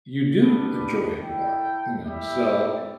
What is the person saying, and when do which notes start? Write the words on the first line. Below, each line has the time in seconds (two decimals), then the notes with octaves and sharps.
you do enjoy it more, you know? So.
0.38 G3 B3 D4 B4
1.20 E4 A4 G5
2.03 G3 E4 G4 E5 G5